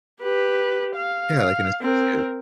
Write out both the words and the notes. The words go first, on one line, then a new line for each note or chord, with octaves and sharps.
Yeah. Like an associate.
G4 B4
F5
C4 A#4